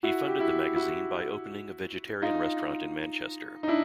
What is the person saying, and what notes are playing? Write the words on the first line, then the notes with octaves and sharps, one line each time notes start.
He funded the magazine by opening a vegetarian restaurant in Manchester.
E4 F#4
G4
E4 F#4
E4 F#4
D#4 F4
D#4
D4 E4